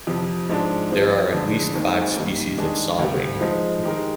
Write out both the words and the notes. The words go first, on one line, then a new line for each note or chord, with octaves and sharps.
There are at least five species of saw-wing.
F2 C3 F3
G#2 F3 G#3 D4
F3 C4 D#4
F2 D3 G#3 D4
D#2 D#3 G#3 C4 D#4
G2 D#3 G3 A#3
D#3 G#3 D4 G#4 D#5
D2 C3 G3
F3 G#3 D#4
D#3 G#3 D#4 G4 A#4